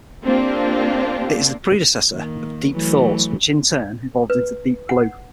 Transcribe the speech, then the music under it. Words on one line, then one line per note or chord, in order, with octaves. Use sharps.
It is the predecessor of Deep Thought which in turn evolved into Deep Blue.
A#3 C4 D4 F4 G4
D#3 A#3
E3 F#3 A3
B4
F#5